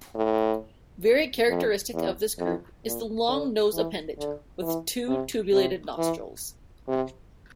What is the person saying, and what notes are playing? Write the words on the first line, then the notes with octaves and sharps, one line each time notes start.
Very characteristic of this group is the long nose appendage with two tubulated nostrils.
A2
F2
E2
F2
A#2
D3
E3
D3
E3
C3
C3
E3
C3